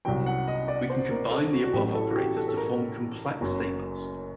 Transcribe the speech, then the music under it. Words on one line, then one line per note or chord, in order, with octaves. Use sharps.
We can combine the above operators to form complex statements.
C2 C3 F#3 G5
F#5
D#5
D5
C5
A#4
A4
F#4
F#4
A1 A2 F#3 G4
A4
F#4
G4
A4
A4
A#4
F#1 F#2 F#3